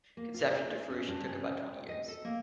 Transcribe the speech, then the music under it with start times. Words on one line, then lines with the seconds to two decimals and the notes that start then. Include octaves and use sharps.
Conception to fruition took about twenty years.
0.17 A#3
0.34 F4
0.51 G#4
0.90 C#4
1.07 G2
1.27 C#4
1.52 G5
1.89 D#5
2.08 A4
2.25 A#3